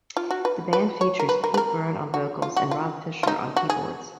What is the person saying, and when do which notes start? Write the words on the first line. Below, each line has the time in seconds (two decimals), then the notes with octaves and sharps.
The band features Pete Byrne on vocals and Rob Fisher on keyboards.
0.17 F4
0.31 F#4
0.45 B4
0.73 B4
1.01 C#5
1.20 A#4
1.29 B4
1.44 A#4
1.54 B4
1.57 A#4
2.14 F#4
2.42 F4
2.56 F#4
2.71 F4
3.23 F4
3.27 D#4
3.56 F#4
3.70 G#4